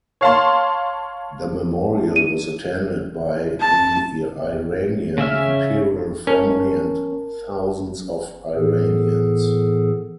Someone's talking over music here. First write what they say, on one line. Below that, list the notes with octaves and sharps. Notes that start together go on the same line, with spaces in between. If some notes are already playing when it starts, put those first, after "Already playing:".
The memorial was attended by the Iranian imperial family and thousands of Iranians.
C#5 F5 A5 C6
D#7
A5
C#3 C#4 E5 F6
C#4 A#4 A5
A2 E3 B3 G#4 A4